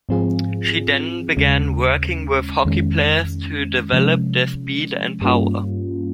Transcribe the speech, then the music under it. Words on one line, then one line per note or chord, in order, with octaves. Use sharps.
She then began working with hockey players to develop their speed and power.
G#2 F3 C4 F4 G#4
D#2 C#3 G#3 C#4
F2 D#3 G#3 C#4
C3 F3 G#3 C#4
G2 G3 A#3 C#4 F4